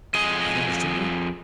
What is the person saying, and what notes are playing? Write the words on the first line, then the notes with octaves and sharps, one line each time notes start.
"Have you understood me?"
F2 G#4 D#5